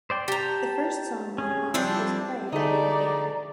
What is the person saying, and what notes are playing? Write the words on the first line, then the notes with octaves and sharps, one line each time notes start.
The first song on "Hot" was "Play" by David Banner.
C5 D5 G5
G4 A5 A#5
C#4 G#4
F3 G3 C4 D4 E4
D3 A3 D#4 G#4 D5 A#5